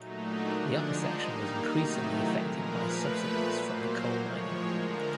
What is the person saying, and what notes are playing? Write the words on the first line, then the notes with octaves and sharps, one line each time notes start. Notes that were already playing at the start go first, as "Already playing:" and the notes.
The upper section was increasingly affected by subsidence from the coal mining.
Already playing: A#2 F#3 A3 D#4
D4
D3 F3 G#3
D#4
D#3 G3 A#3
C3 D#3 F#3 A3
E4
A#2 F3 G#3 A#4
B4
A#2 F3 A3
A#2 F#3 A#3 C5
A2 F3 G#3 C#5
C#5
D3 F3 G#3 A#4